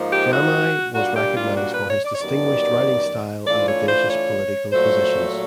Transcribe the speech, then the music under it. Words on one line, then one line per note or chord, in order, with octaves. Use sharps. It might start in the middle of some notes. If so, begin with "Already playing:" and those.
Jamai was recognized for his distinguished writing style and audacious political positions.
Already playing: G#2 F3 A#3 D#4
G4
F#4
A#2 G3 A#3 D4 F#4
G4
F4
F#4
B4
C#5
D5
C#5
F#2 D#3 G3 B3 D5
E3 A3 D4 F4 D5
C5
C#5
C5
C#5
A#2 F#3 A3 C5